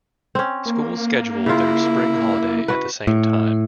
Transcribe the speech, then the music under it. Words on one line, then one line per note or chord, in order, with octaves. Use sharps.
Schools schedule their spring holiday at the same time.
C4 C#4
A#3
C#3 E4 F4
F#4 B4
A2